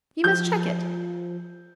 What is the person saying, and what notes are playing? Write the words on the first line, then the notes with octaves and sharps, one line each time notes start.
You must check it.
F3 G6